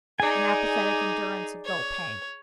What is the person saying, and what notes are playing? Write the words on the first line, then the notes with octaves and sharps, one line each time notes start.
An apathetic endurance of dull pain.
D#4 G#4 D5 G#5
C#5